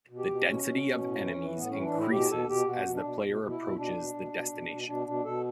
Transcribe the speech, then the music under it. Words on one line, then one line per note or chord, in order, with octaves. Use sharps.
The density of enemies increases as the player approaches the destination.
B2
G4
B2
B2 C#4
B2
B2
A2
E3
E3
A2 B3
C#4
E3
D4
A2
E4
B2 G4
B2 A4
B2 G4
B2 F#4
B2
D4
B2
B2
B2
E4
B2
B2 D4
B2
B2
B2
B2
B2
B2 D4
B2 D4
B2 A4